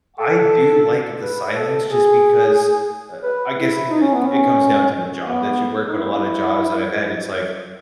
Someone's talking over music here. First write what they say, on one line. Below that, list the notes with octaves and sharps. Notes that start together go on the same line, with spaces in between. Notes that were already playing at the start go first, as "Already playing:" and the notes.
I do like the silence just because, uh, I guess it c it comes down to the job that you work, but a lot of jobs that I've had, it's like
A4
B4
A4
G#4
B4
E4
D#4
C#4
B3
C#4
B3
D#4
E4